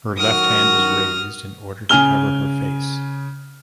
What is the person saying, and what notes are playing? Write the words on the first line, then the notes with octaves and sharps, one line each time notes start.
Her left hand is raised in order to cover her face.
F#2 D#3 F#4 D#6 F6
C#3 G#5 F6 G7